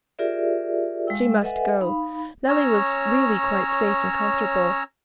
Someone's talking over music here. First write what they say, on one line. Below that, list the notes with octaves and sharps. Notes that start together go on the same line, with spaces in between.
She must go. Nellie was really quite safe and comfortable.
F4 G4 G#4 A#4 D5 E5
G#3 F5 G5 E6
A4 B4 D#5 E5 F#5 G#5
D#4 F5 B5
C#4 C#5 A#5 E6